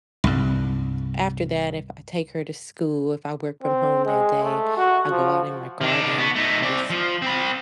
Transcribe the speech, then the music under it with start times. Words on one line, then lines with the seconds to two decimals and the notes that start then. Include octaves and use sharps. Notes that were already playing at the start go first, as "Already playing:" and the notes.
after that, if I take her to school, if I work from home that day, I go out in my garden, and just
0.24 C2 G2
3.63 C4
4.06 G#3
4.43 A3
4.77 F#4
5.11 F3
5.81 D#3 D4
6.18 B3 F#4
6.35 A3 D#4
6.62 C4 D5
6.90 F3
7.22 C4 B5